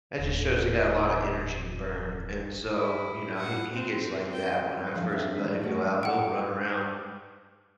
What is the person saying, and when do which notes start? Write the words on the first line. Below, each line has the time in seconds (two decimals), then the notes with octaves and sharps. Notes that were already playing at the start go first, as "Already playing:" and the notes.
That just shows they got a lotta energy to burn. And so, you know, he he gets like that. When I first let him go out, he'll run around,
0.18 D#1 A1
2.74 E4
3.36 F#5
3.73 C4
4.32 G5
4.94 F3 G3 G#4
5.08 C4 D4 A#4 C#5 E5
5.39 E3 G#3
5.61 A3 F#4 G4
6.03 F#5 G5